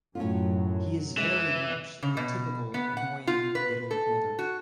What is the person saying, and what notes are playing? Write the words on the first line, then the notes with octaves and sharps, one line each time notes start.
He is very much the typical annoying little brother.
F#2 A2 F#3 C#4 F4
E3 G#3
C#3
B2
B3
F#5
F4
B4
A4
F#4